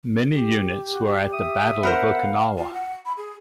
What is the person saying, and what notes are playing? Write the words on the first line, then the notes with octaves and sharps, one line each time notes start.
Many units were at the Battle of Okinawa.
G4
F#4
E5 D#6
B3 A#4 C5 F#5
F5
F4
F#5
B5
G#4